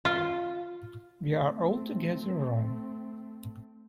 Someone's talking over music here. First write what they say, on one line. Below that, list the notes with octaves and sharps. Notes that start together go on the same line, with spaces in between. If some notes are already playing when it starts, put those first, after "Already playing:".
We are altogether wrong.
F4
A3 C4